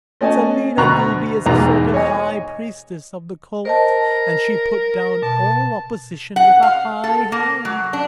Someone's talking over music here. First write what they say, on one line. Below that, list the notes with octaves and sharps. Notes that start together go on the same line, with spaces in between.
Selina Goobie is a sort of High Priestess of the Cult, and she put down all opposition with a high hand.
A3 C#4 D#5 G#5 A5
D2 B2 A#5 B5 C#6 F#6
B1 E2 G#2 B2 A#5
C#5 D#5 G#5
A#4 C5 D#5 A5
B2 A5
F#5
F5
A4
A#3
F#3
D4